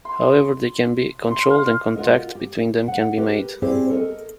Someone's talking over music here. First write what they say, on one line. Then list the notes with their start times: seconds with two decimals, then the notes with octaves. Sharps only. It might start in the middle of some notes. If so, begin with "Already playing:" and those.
However, they can be controlled, and contact between them can be made.
0.05 C6
1.27 C6
1.50 F5
1.96 F4 F#4 A#4 D#5
2.35 G4
2.88 F#5
3.18 G4 A#4 B4
3.62 C4 E4 G4 G#4 C5 D5
3.90 A4 A#4 D#5